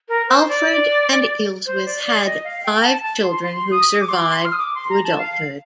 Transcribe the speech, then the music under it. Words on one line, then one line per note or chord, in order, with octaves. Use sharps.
Alfred and Ealhswith had five children who survived to adulthood.
A#4
C5
D5
C5
D5
D5
D#5
F5
G5
A5
A5
C6
C6
D#6
D6
C6
D6
C6
F6
D#6
D6
C6
A#5
A5
F5